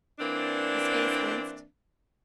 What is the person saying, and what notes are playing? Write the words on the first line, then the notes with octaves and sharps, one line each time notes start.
His face winced.
E3 A#3 C4 D4